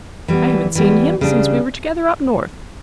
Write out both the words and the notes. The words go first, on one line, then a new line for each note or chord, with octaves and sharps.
I haven't seen him since we were together up North.
E3 G3 B3
E3 G3 B3
C#3 G3 D4